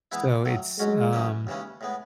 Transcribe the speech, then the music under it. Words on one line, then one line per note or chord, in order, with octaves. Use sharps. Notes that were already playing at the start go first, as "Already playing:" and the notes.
So it's, um
E3 G#3 B3 E4
D#3 F#3 A3
F#3 G#3 C#4 F#4
F#2 E3 G#3 C#4
D#2 C#3 E3 G#3 C#4
A2 G#3 B3